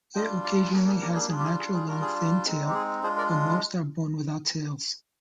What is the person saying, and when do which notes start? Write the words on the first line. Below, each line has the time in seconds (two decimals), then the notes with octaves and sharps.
It occasionally has a natural long thin tail, but most are born without tails.
0.14 G3 D4 F4 D#5 G5
0.44 D5 F5
0.73 G3 A#3 D4 G#4
0.87 G#4
1.01 G4 A#4
1.16 G#4
1.30 G3 D4 F4 G#4
1.39 G4
1.44 G#4
1.59 G#4
1.74 G#4
1.87 G3 D4 F4 A#4
2.01 G#4
2.46 G#3 C4 D#4
2.69 G4
2.74 G#4
3.03 G#3 D4 F4 G#4 C5
3.18 A#4 D5